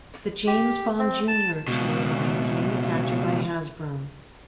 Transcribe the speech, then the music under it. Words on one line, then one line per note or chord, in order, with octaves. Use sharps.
The "James Bond Junior" toy line was manufactured by Hasbro.
G4
C4
A5
C#2 B2